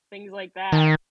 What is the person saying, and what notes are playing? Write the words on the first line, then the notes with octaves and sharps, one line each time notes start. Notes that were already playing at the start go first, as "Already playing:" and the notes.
things like that.
D#3